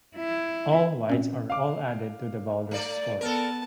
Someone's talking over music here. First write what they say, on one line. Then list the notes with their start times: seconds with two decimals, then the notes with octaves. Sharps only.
All wides are all added to the bowler's score.
0.16 E4
1.09 A#2 C4 C#4
1.50 F5 D6
2.71 A3 D5
3.21 B3 A4 A#4 A5